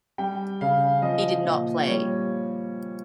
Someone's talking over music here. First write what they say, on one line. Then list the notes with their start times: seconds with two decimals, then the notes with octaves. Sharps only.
He did not play.
0.18 G3 G5
0.61 C#3 F5
1.02 F3 D#5
1.44 A#2
1.87 G3 C#5